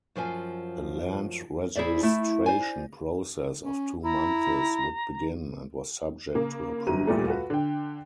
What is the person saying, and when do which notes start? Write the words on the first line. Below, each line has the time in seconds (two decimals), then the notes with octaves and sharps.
A land registration process of two months would begin and was subject to approval.
0.16 F#2 F3 C5 G#5
1.75 E4 G#4 C5 D5 E5
2.03 A3 E4
2.46 C5 D5 G#5
3.63 C#4
4.04 E4 A#5
6.35 C#3 A#3
6.87 G1 D3 F#3 A#5 D#7
7.07 E2 A#2 G3 A3
7.27 F4 F#4 A4 B4
7.50 D3 G5